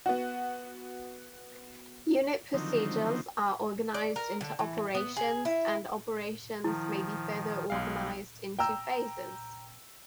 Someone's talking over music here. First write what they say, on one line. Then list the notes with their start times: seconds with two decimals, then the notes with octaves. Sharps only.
Unit-procedures are organized into operations, and operations may be further organized into phases.
0.06 B3 F#4
2.54 D3 D#3 F3 F#3 C4 D#4
3.94 D5
4.16 A#4
4.41 D3
4.59 E3
4.95 B3
5.17 G#4
5.45 E4
6.64 D#3 F3 E4
7.70 B1 G#3 F5
8.59 G5 A#5 E6